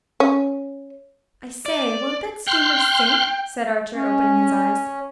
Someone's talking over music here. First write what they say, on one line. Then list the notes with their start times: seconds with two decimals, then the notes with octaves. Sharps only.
"I say, won't that steamer sink?" said Archer, opening his eyes.
0.20 C#4
1.66 D5
2.47 G5 C6 F6 F#6
3.95 C#4